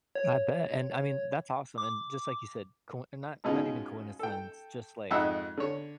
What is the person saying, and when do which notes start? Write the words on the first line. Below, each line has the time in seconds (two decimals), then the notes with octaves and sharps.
I bet. And, I mean, that's awesome. And just like you said, coin not not even coincidence, just, like,
0.15 C#5
1.78 D6
3.44 G#2 B2 G#3 C#4 D#4 F4
4.19 A4 G5
5.11 F2 G#2 D#4 E5 F#5 E6
5.57 D3 C#5